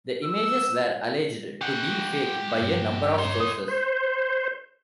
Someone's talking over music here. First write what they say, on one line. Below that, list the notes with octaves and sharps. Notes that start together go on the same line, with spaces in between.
The images were alleged to be fake by a number of sources.
E6
G4 F#5
G2
C#5 C6
D#6
C5